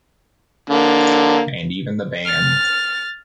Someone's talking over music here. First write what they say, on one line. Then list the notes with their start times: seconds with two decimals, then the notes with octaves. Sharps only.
And even the ban.
0.70 D3 A#3
2.26 F6 A6